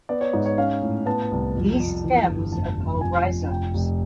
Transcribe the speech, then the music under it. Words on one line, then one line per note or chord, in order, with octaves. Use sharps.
These stems are called rhizomes.
B3 D5
C#5
G#2
C#5
C#4 F5
A2
B3 A5
A5
C2
F2
F2
E3
G1
F1 A5
F1
F2 G#5
F2
F1 G5
F1